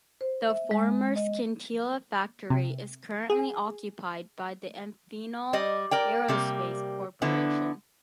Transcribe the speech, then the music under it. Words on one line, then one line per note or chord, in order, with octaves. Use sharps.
The former Scintilla factory is currently occupied by the Amphenol Aerospace Corporation.
C5
E5
G#3
D#5
C3
G#4
G3 D5 D#5
A#4 D5 G5
C3 G3 A#3
D3 B3 E4